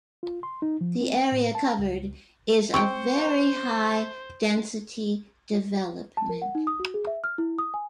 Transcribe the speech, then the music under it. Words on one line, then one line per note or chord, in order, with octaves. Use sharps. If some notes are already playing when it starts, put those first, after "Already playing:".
The area covered is of very high density development.
F4
C6
D#4
F3
C4
G5
A2
A5
C#2
C4 C5 C#5 G5 C#6
A5
A#4
F#5
D#4
D#6
F#4
G#4
E5
F6
E4
D#6
G#5